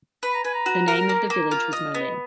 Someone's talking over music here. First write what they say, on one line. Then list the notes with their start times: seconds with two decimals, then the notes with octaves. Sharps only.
The name of the village was Molin.
0.23 B4 B5
0.34 A#5
0.44 B4 G#5
0.54 A#5
0.66 F#4
0.88 A#4
1.09 A#3
1.30 A#3
1.51 F4
1.73 D#5
1.94 B3